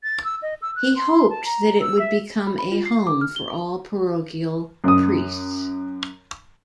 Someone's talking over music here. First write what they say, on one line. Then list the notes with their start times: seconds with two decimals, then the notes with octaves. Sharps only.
He hoped that it would become a home for all parochial priests.
0.03 A6
0.24 E6
0.42 D#5
0.62 E6
0.76 F#6
0.96 C6
1.30 A5
1.45 A#5
1.80 E6
1.99 E5
2.47 B5
2.59 B5
2.72 F4
2.86 C7
3.07 D6
3.21 F6
3.36 G7
4.84 F#2 D#6